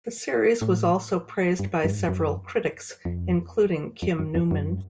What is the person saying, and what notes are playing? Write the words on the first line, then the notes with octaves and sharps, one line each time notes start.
The series was also praised by several critics, including Kim Newman.
A2
G2
G2
G#2
G2
F#2
F2
F2
F#2
F2
F#2